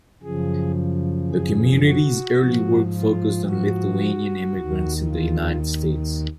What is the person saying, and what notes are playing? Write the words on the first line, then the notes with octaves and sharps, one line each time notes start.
The community's early work focused on Lithuanian immigrants in the United States.
F#2 C#3 F3 G#4
G#4
F#4
G#2 F3
F4
F#4
D#2 D#3
F4